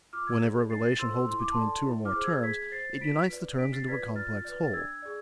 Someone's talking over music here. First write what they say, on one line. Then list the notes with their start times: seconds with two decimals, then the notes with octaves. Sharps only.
Whenever a relation holds between two or more terms, it unites the terms into a complex whole.
0.13 F4 D6 F6
0.27 E6 G#6
0.42 G#4 D5
0.70 D4 A6 C7
0.85 A6 C7
0.99 F4 A4 C5 C6 E6
1.14 C6 E6
1.28 E4 C6
1.40 D6
1.51 A5 C6
1.57 A4 D5
1.86 E4
2.05 D6 F6
2.15 G#4 C5
2.24 E6 G#6
2.43 G#4 G#6 B6
2.72 C5 A6 C7
3.01 F4 B6 D7
3.29 B4 D5
3.58 D4 B6 D7
3.73 A6 C7
3.87 F4 B4 D5 G#6 B6
4.16 F4 F6 A6
4.45 B4 D5
4.64 A6
4.73 D4 E6 G#6
5.02 G#4 D5